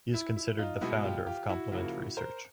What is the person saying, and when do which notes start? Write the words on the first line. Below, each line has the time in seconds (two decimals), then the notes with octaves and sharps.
He is considered the founder of complement research.
0.14 E4
0.36 E4
0.58 D#4 F4
0.81 B2 G#3 B3 E4 F#4
1.04 F4 G4
1.27 F4 G4
1.49 E4 F#4
1.72 C#3 F3 A#3 E4 F#4
2.17 A#4 C5